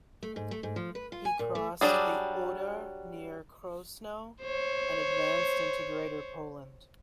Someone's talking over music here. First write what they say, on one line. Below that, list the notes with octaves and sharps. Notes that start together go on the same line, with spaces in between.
He crossed the Oder near Krosno and advanced into Greater Poland.
A3
G#2
A3
G#2
F3
B4
F4
G#5
A#2
A3
F#3 G3 D4 G#4
C5 C#5